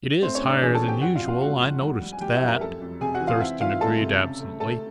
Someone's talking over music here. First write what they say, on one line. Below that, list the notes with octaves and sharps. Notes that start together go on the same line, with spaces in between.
"It is higher than usual; I noticed that," Thurston agreed absently.
A3 C4 C5
C#4 C#5
A2
D4 D5
E3 G#4 G#5
A4 A5
C4
G4 G5
F2 F#4 F#5
F4 F5
C3
F4 F5
G#3 F#4 F#5
F2
G3
G3
G#5
G3 G4 G5
E4 E5
F#2
A#4 A#5
F2 A4 A5
F2
C3 G#4 G#5
F#4 F#5
E3
F4 F5
C4 E4 E5
D#3 F4 F5
G#3 A4 A5
C3
C#3
A3
A3 A4 A5